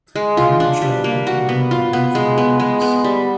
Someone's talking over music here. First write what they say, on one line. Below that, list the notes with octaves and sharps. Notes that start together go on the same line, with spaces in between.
The women shower water and money on him from the windows.
G#3
F4
D4
G3
A#3
F#4
B3
F4
B3
G#3
B3
G#3
B3
G3